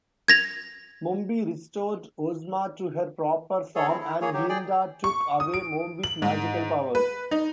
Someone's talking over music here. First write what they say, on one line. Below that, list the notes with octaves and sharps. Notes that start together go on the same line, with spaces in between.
Mombi restored Ozma to her proper form, and Glinda took away Mombi's magical powers.
G#6 A#6 F7
G#4 A4 C#5
C4 E4
E4
A#3 G#4 C#5
F#3 G4
G#4 D5 G5
C#6
D#6
D7
F#7
G#2
B4
D#4